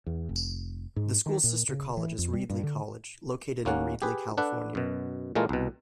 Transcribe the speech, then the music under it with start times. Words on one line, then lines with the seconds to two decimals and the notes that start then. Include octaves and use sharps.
The school's sister college is Reedley College, located in Reedley, California.
0.06 E2
0.29 F1
0.96 G#2
1.26 D#3
1.44 A#2
1.69 C#3
1.97 E3
2.18 F2
2.33 G3
2.50 G2
2.63 D3
3.65 D#2 A#3 C#4 F#5
4.02 G4 G#4 B4
4.38 D4 A4 B4 F#5
4.75 F#2 B2
5.35 A#2 E3 G#3 A3 F4 A#4
5.49 C2 B2